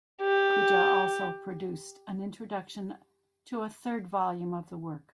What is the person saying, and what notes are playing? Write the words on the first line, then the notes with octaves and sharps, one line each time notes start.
Kujau also produced an introduction to a third volume of the work.
G4